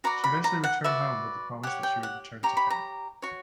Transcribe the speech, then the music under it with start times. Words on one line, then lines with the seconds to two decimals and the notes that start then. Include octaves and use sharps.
She eventually returned home with the promise that she would return to him.
0.04 F#4 B4 D5 A#5
0.24 B5
0.44 A#5
0.64 F#5
0.84 F#4 B4 D5 E5
1.63 G4 C#5 F#5
1.83 G5
2.03 F#5
2.43 G4 C#5 A#5
2.57 B5
2.70 A#5
3.22 F#4 C#5 C#6